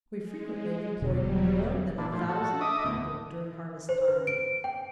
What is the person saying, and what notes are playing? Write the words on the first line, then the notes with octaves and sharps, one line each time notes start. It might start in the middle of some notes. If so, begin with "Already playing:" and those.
We frequently employed more than a thousand people during harvest time.
G#3
E1 B2 D3 F#3 G3
A#2 E3 D4
A2 F3
F#4 A4
D#5 E5 D6 D#6
D2 A2
C5
B4
D7
G5